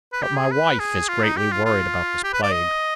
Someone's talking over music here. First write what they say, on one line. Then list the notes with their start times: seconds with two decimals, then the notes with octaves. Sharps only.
But my wife is greatly worried about this plague.
0.13 B4
0.22 G4
0.37 G#4
0.51 B4
0.80 G#4
1.09 F4
1.23 D#4
1.37 G4
1.52 F4
1.65 F4
2.24 G4
2.33 B4
2.43 D5
2.52 D#5